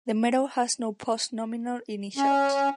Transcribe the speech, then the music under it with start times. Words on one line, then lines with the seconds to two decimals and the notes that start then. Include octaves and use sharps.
The medal has no post-nominal initials.
2.17 C#4